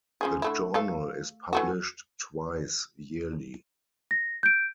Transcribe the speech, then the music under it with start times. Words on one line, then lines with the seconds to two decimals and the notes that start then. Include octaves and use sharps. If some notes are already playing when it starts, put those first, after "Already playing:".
The journal is published twice yearly.
0.21 C#3 F3 G#4
0.42 D3 A3 E4
0.74 A3 A4 F5
1.53 E3 A3 F#4
4.11 A#6
4.43 G6 D7